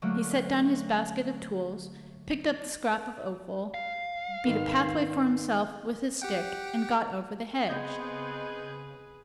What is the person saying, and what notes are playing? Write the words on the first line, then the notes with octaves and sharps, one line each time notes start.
He set down his basket of tools, picked up the scrap of offal, beat a pathway for himself with his stick, and got over the hedge.
D3 F#3 A3 A#3
F5
G#2 D#3 B3
G4 F#5 G5
C#3 B3 C4 G#4 B4 D#5 G6 G#6